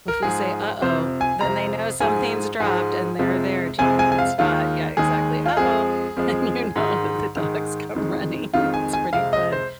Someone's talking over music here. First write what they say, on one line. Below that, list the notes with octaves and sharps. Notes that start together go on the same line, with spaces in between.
If we say, "uh-oh," then they know something's dropped, and they're there, Johnny on the spot. Yeah, exactly. "Uh-oh." And you know that the dogs come running. It's pretty fun.
A#4
G#2 F3 G#3 G#4
F2 C3 F3 C5
G#5
F2 C3 F3 A#5
G#2 F3 G#3 G#5
G#2 F3 G#3 G#5
F2 C3 F3 G#3
F2 C3 F3 G#3 G#5
G#5
G#5
F5
D#2 D#3 G#3 F4
D#2 D#3 G#3 G#4
F4
F2 F3 G#3 G#4
F2 F3 G#3
G#2 D#3 G#3
G#2 D#3 G#3
F2 D#3 G#3
F2 D#3 G#3 F4
G#5
G#5
F2 C3 G#3 F5
D#5
C5